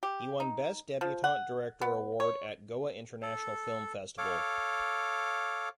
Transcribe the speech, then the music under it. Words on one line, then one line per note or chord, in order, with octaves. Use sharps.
He won best debutant director award at Goa International film festival.
G4
D#4
F3
F#5
B3
C#5
A4
A4 C#5 F5 D6